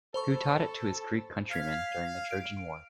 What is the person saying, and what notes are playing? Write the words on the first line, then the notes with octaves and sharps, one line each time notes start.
Who taught it to his Greek countrymen during the Trojan War.
A4 C5 B5 C#6
F5 F6 G#6 B6
D7